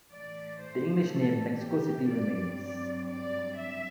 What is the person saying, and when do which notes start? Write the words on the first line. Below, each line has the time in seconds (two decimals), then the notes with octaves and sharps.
The English name "Mexico City" remains.
0.10 A2 E3 A3 D5
0.61 C5
1.09 A4
1.59 G4
2.09 G2 F#3 C4 D5
3.09 D5
3.58 E5